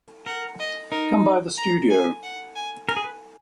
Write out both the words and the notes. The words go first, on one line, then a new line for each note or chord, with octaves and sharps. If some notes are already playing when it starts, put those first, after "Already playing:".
Come by the studio.
A#4 F#5
D#5
D#4 A#4
A#5
G#5
F#5
G#5
A#4 G#5
G#4
B4